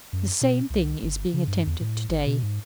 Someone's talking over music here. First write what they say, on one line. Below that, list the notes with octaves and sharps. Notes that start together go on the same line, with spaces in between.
The same thing is being attempted to-day.
F#2
B2
C2
G1
C#3
G2
E2
A2
G#1
B2
G#2